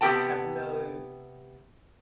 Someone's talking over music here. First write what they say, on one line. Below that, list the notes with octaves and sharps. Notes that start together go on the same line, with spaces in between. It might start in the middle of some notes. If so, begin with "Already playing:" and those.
have no
C3 B3 G4 A#4 G5 A5